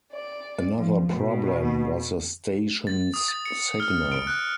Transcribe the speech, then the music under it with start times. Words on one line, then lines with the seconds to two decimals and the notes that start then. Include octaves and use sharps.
Another problem was the station's signal.
0.12 D5
0.77 F3
1.14 B2
2.87 A6
3.14 D#6
3.28 A6
3.46 C#7
3.80 F6
4.12 D7
4.27 F#6